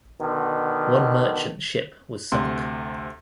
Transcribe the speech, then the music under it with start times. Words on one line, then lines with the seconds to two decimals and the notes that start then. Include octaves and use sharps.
One merchant ship was sunk.
0.21 B2 D3 D#3
2.32 D2 C3 C6